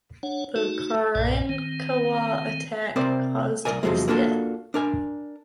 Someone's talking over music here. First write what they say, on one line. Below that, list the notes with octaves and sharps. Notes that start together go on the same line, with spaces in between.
The Karankawa attack caused his death.
D4 C#5 F#5
A3 D#4 F#4
B1 G2 A#2 D5 G#5
D#3 C4
C3 C4 A#4 C5 D5
C2 G#2 A#4 D5 G#5
E2 C3 F3 F#3 G#3
A#3 D4 F4 F#4 A4
D4 A#4 G#5